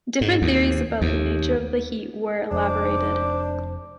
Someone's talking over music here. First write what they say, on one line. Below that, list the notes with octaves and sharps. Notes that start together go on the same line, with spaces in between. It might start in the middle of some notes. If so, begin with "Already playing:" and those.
Different theories about the nature of the heat were elaborated.
G#2
D#2
D#2
F1 F2 A3 D4 C5 D6